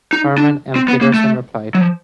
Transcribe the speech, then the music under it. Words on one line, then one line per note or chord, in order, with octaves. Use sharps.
Herman and Peterson replied.
D#4
D4
C4
B3
A#3
A3
F#3
F3